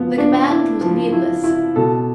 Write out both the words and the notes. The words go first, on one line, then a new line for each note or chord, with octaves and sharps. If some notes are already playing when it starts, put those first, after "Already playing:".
The command was needless.
Already playing: F3 B3
D4
E4
F3
E4
E4
B2 A4